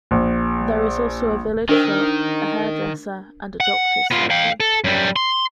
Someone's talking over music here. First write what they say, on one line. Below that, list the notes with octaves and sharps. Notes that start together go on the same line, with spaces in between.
There is also a village shop, a hairdresser and a doctors' surgery.
A#1
D#3 D4 A#4 C5
F#5
B3 F4
F5 G5
A4
F#2 G3
C6